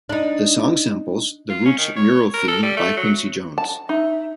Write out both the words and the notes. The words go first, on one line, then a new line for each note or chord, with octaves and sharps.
The song samples "The Roots Mural Theme" by Quincy Jones.
D4 D#4
F4
C#4
D#3
C#5
A#4
A4
G3
A3
F#3
A5
D#4 E5